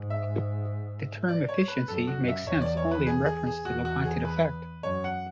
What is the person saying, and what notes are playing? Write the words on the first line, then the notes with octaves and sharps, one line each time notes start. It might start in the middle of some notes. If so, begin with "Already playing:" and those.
The term "efficiency" makes sense only in reference to the wanted effect.
Already playing: G#2
E5
D5
C#5
B4
F#2 A4
F#4
F#2
E5
E2 C#5
D5
C#5
B4
G#4
G#4
G#4
E2 F#4
F#4
G#4
B4
F#2 C#5
F#5